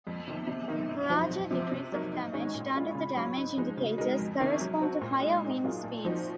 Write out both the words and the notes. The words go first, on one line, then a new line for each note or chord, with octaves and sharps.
Larger degrees of damage done to the damage indicators correspond to higher wind speeds.
F2
C3 D#3
C3
D#3 A#3 D#4
F#2
F3 C4 D#4 F#4
F2
C3 F3 C4
C3
F#3 A#3 D#4
G#2
D#3 G#3 C#4
A#2
G#3 C#4 F4
C#3
F#3 C#4
G#2
F3 G#3 D#4
C#3
G#3 D#4 A#4
F2
C3 D#3 A#3 C#4
F#3
C4 F#4
A#2
G#3 D#4
G#2
F#3 A#3 F4 G#4
A#2
F3 C4 D#4 F#4